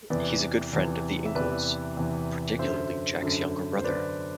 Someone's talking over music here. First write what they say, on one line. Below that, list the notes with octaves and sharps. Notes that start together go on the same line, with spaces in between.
He's a good friend of the Ingles', particularly Jack's younger brother.
E2 C3 E3 B4 D5
E2 C3 E3
E5
E2 C3 E3 B4 D5
E2 C3 E3
F#2 D3 C5 E5
F#2 D3
C5
F#2 D3 B4 D5